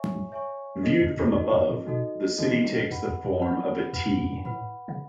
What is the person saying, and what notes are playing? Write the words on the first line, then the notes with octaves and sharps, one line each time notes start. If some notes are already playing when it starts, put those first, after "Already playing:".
Viewed from above, the city takes the form of a "T".
Already playing: C#5 E5 G#5 C#6
C#5 E5 G#5 C#6
D#4 F#4 A4 D#5
E2
E2
F#2
E2 D#4 F#4 A4 D#5
F#2
A2
B2 D#4 F#4 A4 D#5
C#3 D#4 F#4 A4 D#5
D#3
F#3
G#2
F#2 B4 F#5 B5
E2
F#2
B4 F#5 B5
E2 B4 F#5 B5
F#2
E2
F#2
A2 B4 F#5 B5
C#3